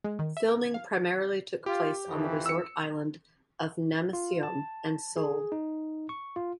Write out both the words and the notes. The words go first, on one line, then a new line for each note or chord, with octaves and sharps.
Filming primarily took place on the resort island of Namiseom and Seoul.
G#3
D#3
E5
A#4
G#6
F5
F4 G4
F2 E3
E6 C#7
F4
A5
G#4
D#4
C#6
F4